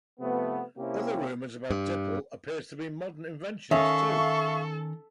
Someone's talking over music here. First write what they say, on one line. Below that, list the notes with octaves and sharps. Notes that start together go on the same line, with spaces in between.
Other rumours about Dippel appear to be modern inventions too.
C3 F3 A3 B3
C3 A#3 C4 C#4 E4 G4
G2
D#3 C#4 A4 E5 F5 C#6